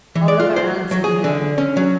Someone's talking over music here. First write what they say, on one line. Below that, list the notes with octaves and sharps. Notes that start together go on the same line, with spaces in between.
Oliver answered no.
E3
D5
F4
C5
F#3
G#4
D3
C#4
F#3